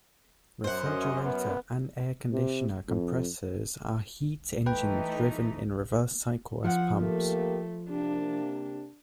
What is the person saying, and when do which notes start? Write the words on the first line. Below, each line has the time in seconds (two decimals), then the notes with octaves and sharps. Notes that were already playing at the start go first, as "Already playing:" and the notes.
Refrigerator and air conditioner compressors are heat engines driven in reverse cycle as pumps.
0.64 F#2 C5 F#5
0.84 C#4 D#5
1.25 B3
2.32 C3
2.87 F2
4.66 E3 A3 D#4 B4 G5
6.64 F3 F#5
7.01 A3 A#3 G4 A#4
7.89 C3 A#3 D4 G4